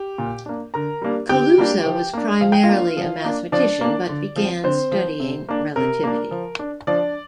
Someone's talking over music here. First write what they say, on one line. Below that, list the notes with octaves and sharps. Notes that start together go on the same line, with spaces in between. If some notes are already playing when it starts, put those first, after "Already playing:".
Kaluza was primarily a mathematician but began studying relativity.
Already playing: G4
A#2
A#3 D4
D3 A#4 A#5
G3 A#3 D4
D3 G4 G5
G3 A#3 D4
F3
A#3 D4
F3 F5
G5
F4 F5
A#3 D4
F3
A#3 D4
F3 D4 D5
A#3 D4
D3
F3 C4
D3 C4 C5
F3 C4
C3
A#3 D4
C3 A#4
A#3 D4
F3
D4
F3 D4 D5